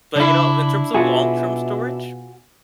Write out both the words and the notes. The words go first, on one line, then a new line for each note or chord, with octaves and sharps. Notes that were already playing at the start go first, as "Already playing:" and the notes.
But, you know, in terms of long-term storage,
C#3 D4 E4
B2 F4 F#4 G#4 E5